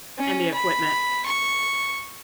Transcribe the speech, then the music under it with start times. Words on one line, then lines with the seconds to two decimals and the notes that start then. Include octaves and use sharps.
And the equipment.
0.18 C#4
0.54 B5
1.25 C#6